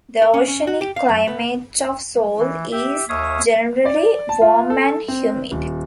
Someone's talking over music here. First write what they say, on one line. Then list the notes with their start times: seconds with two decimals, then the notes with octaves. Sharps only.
The oceanic climate of Soule is generally warm and humid.
0.22 A#4
0.34 C#4
0.48 C#4
0.67 F#4
0.81 G4
0.96 F5
1.09 F#2
1.27 B3
2.39 E3
2.72 G4 E5
3.09 D#2 C#5 E5 F5 D#6
3.85 D5
4.29 A5
4.42 F4
4.70 A4
5.08 C4
5.52 D#1